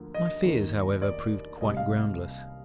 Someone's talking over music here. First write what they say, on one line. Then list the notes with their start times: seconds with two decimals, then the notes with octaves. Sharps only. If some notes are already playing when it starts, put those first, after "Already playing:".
My fears, however, proved quite groundless.
Already playing: D2 D3 F3 A#3
0.14 D#5
0.43 D#2 D#3 A#3
1.02 D5
1.61 C2 C3 G3 D#5
1.77 F5